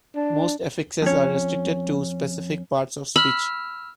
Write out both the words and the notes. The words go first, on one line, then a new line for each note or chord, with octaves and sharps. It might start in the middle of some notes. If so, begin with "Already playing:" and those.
Most affixes are restricted to specific parts of speech.
D4
F2 C#4
B5 E6 F6